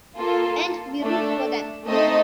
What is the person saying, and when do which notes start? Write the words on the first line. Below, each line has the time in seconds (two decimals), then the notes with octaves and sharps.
And we root for them.
0.16 A#3 F4 A4
1.02 A3 D4 A4
1.87 A3 C4 D#4 A4 D#5